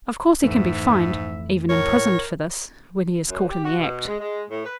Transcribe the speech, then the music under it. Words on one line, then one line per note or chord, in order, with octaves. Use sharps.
Of course he can be fined--even imprisoned for this--when he is caught in the act.
F2 G#2 E3 A3 E5
A2 A#4 C#5
F#2
G4
F#4
B2
G#3
G#3
A2
B4